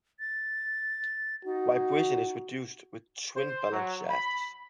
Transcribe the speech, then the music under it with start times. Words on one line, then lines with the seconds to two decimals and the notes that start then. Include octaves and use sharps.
Vibration is reduced with twin balance shafts.
0.20 A6
1.45 D#4 F#4
3.35 C5
3.72 F#3
4.09 B5